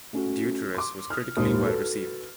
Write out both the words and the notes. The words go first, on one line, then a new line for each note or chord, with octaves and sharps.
"Deuteros" was critically well received.
A3 C#4 F#4
C6 D6
D#6 F6
G#1 D#2 A#2 C5 D#6
F#4 A4 B4